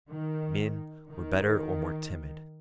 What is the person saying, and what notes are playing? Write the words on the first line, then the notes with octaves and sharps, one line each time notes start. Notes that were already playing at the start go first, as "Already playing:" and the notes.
Men were better, or more timid.
D#3
D#3